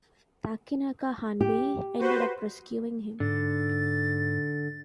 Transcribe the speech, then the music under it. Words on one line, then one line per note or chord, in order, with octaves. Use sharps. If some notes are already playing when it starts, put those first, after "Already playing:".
Takenaka Hanbei ended up rescuing him.
G4
F#4 B4 C5
G#2 D3 A6